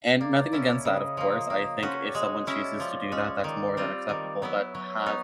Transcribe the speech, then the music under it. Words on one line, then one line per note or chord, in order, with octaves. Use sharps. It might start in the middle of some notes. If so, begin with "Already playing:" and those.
and nothing against that, of course. I think if someone chooses to do that, that's more than acceptable, but to have
A#3 D5
C#4 E4
C#3 D#5
F3 A#3
A#3
C#4 F#4 C5
C#5
D5
G#3 D#5
D#5
C#4 E4 D#5
D5
F3 D5
G#3 C#4
D#3 D5
G3 C4 F4
D#3
F#3 B3 E4
F#3 C#5
B3 D#4